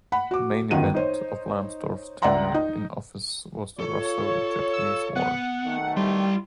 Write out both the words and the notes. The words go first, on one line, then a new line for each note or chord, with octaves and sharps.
The main event of Lamsdorf's tenure in office was the Russo-Japanese War.
F#5 B5
F#4 D6
G1 F#2 D#3 F4 F#5 D#7
D#4 C5 C#5
C#2 D5 E5 F#5 A#5 C6
D#4
F4 A4 C#5
E6
B3 F#5
B1 D#3 A3
G3 E4 C6